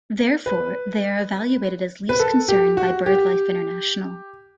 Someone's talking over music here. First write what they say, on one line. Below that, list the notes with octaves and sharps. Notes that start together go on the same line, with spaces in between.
Therefore, they are evaluated as least concern by BirdLife International.
B4
B4
A4
G4
F#4
G4